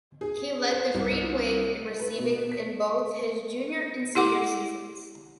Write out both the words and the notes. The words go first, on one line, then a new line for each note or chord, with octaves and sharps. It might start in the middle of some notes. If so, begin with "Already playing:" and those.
He led the Green Wave in receiving in both his junior and senior seasons.
G#4
C5
C2
B4
B2
B6
E4 G4 F#5 D6